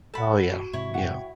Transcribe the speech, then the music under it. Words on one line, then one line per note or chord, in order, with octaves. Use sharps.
Oh, yeah. Yeah.
A4 F#5 A5 B5
F#4
G#2 C3 E4 C#5
F#5 G5